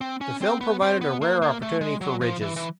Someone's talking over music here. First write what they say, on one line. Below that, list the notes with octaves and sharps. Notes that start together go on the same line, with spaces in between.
The film provided a rare opportunity for Ridges.
C4
C#4
C4
B3
C4
B3
A#3
A#3
A3
G#3
F#3
F3
E3
E3